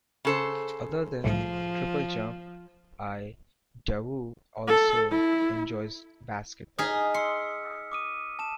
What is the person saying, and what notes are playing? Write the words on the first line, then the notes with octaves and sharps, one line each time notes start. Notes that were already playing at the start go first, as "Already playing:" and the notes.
Other than triple jump, Idowu also enjoys basketball.
C#3 A4 C5
C2 A2 F3
A4
E4
D#4 G#4 D#6 F6 B6
C6 E6 C#7
D6 D#6 D#7
A5 E7